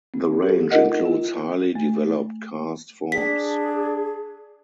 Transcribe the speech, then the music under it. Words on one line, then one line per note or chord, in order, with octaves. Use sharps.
The range includes highly developed karst forms.
C4
G4 A4
D#4 F4 A#4 D#5 F#5
E4 F4
A3
D4 G#4 B6